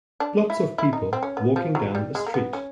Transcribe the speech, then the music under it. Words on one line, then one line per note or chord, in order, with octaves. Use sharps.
Lots of people walking down a street.
D4
E4
E4
D#4
C4
C#4
B3
F3
F#3
G3
G#3
A#3
B3
C#4